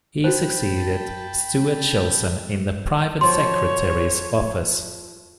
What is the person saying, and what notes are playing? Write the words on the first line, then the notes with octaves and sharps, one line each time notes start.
He succeeded Stuart Shilson in the Private Secretary's Office.
F#4 C5 G5 A5 B5
F3 F#4 C#5 C6